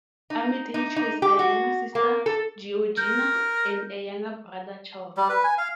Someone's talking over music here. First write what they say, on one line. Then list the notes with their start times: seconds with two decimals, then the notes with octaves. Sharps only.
Armytage has a younger sister, Georgina, and a younger brother, Charles.
0.30 D#4
0.74 D#4
0.96 D#4
1.22 G4
1.39 F#4
1.95 A#3
2.26 A4
2.97 A#4 G6
5.17 G3
5.29 B4
5.44 G#5
5.58 F5